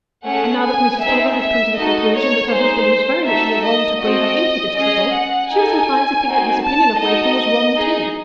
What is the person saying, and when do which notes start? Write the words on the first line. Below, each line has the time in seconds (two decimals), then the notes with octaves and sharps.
And now that Mrs. Tulliver had come to the conclusion that her husband was very much in the wrong to bring her into this trouble, she was inclined to think that his opinion of Wakem was wrong too.
0.26 A3 C#4 G#4 F#5
0.64 G#5
1.01 C4 D#4 G#4 E5
1.39 E5
1.77 D#4 F#4 A4 D#5
2.15 C#5
2.51 D#4 G#4 C5
3.26 A3 D#4 F#4 A4 E5
3.64 D#5
4.01 C4 F#4 A4 D#5
4.76 C#4 G#4 D#5
5.14 F#5
5.52 D#4 A4 G#5
6.26 C4 D#4 F#4
6.64 A5
7.01 D#4 F#4 A4 D#5
7.76 D#4 G#4